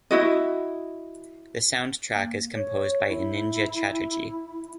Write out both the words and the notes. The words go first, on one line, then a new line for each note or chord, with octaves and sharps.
The soundtrack is composed by Anindya Chatterjee.
E4 F#4 D#5
A#3
C#5
E4